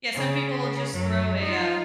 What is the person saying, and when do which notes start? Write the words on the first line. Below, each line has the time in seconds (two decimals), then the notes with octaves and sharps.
Yeah, some people just throw a, uh,
0.14 C#3
0.91 F#2 F#3
1.40 D#4 F4